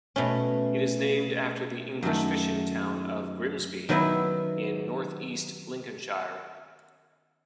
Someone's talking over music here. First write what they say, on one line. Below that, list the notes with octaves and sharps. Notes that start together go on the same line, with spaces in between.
It is named after the English fishing town of Grimsby in North East Lincolnshire.
B2 A3 C#4
F#2 D#3 A3
D#3 F#3 B3 E4